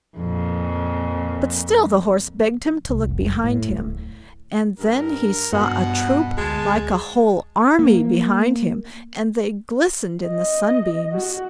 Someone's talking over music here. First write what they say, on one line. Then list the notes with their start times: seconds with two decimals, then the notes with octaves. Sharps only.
But still the Horse begged him to look behind him, and then he saw a troop like a whole army behind him, and they glistened in the sunbeams.
0.17 F2 A#2
2.89 C2
3.09 F1
3.44 A2
3.70 D1
4.79 G2 A#4
5.53 G2 B2 F#5
6.38 D2 G#3 A5
7.79 A#3
10.27 D#5
11.13 F#4